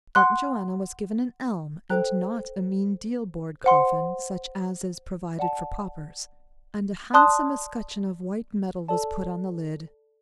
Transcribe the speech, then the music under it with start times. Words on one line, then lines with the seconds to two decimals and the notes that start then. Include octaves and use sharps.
Aunt Joanna was given an elm, and not a mean deal board coffin, such as is provided for paupers; and a handsome escutcheon of white metal was put on the lid.
0.15 F#5 C6 F#6
1.90 A4 C5 G5 A#5 F#6
3.64 C5 F#5 C6
5.39 D5 F#5 A5
7.14 D5 A5 C6 D#6 F#6
8.88 A4 D5 A5